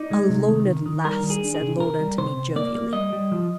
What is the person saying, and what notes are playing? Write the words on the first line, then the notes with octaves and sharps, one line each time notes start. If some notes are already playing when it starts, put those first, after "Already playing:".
"Alone, at last!" said Lord Antony, jovially.
Already playing: D#4 D5
G#3
C3
D#3
D#3
D#3
G3 A#4
D#3
G#4
D4
G#4
C3
C3 A#4
G3
C3 C5
C3
A#3 D5
A#3
G3 D#5
G3
F3